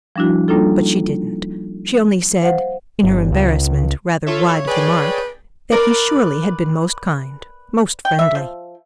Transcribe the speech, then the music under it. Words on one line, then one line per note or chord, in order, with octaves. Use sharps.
But she didn't; she only said--in her embarrassment rather wide of the mark--that he surely had been most kind, most friendly.
F3 G3 D4 E4 F#4
G3 A#3 D4 D#4 F4 A4
C5 F5 F#5
G1
C#2
F4 A4 C#5 E5
G#4 B4 D5 G5
A#4 B4 D5
G5
E5
F3